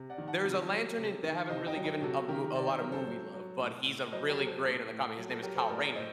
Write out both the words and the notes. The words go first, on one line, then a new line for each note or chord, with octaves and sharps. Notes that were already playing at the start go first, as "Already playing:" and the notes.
There's a lantern in they haven't really given a a lot of movie love, but he's a really great in the comic, his name is Kyle Rayner,
Already playing: C3
D5 F#5
D#3
F#5 A5
C3
F#3
C3
D#3
C3 C5 D#5
D#5 G5
F#3
D#5 G5
C3 F#4 A4
D#3 G4 A#4
C3 D5
C5
F#3 A#4
A4 C5
F#3
F#3
A2
A2
F#3 C5 D#5
G4 A#4
F#3
A4 C5
A2 A4 C5
A2
F#3
F#4 A4
F#3 G4 A#4
A4 C5
A2 A#4 D5
A2 C5 D#5